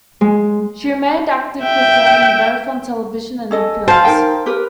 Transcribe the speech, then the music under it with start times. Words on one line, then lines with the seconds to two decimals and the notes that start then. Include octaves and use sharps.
She remained active performing both on television and in films.
0.21 G#3
1.63 E5 G5
3.51 C#4 A4 D#5
3.88 C5 F5 A5
4.05 D#4 A#4 G5
4.46 G4 A#4 B4